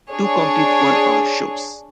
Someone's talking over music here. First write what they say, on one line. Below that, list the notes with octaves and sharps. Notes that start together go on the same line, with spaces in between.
Two complete one-hour shows!
D4 G#4 C#5